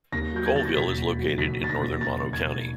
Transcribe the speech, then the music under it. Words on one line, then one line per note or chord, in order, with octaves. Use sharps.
Coleville is located in northern Mono County.
D#2 A#6
F#3 G6
G#6
D#3 A6
A#6
E1 B6
D#2
F#3
D#3 B6
E1 A6
A#6
D#2
F#3 A6
D#3
G#6
E1